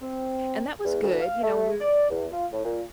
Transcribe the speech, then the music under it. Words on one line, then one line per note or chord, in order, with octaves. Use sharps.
and that was good, you know, we
C4
E2
D2
F5
A3
D5
E2
F4
A2
A#2